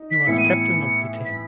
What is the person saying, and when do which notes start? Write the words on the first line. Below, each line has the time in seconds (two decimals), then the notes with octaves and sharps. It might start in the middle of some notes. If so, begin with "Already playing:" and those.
He was captain of the team.
Already playing: D#4
0.10 B6
0.26 A2 E3 B3 E4 C#7
0.38 D#7
0.48 C#7
1.25 B6